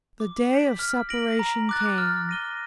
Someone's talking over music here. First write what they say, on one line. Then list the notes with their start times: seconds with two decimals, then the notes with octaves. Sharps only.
The day of separation came.
0.20 D6
0.49 G6 B6 D7 F#7
0.79 F6
1.09 A#6 D7 F#7
1.39 A#5
1.69 D6 F#6 A6
1.98 F6
2.29 A#6 D#7 G7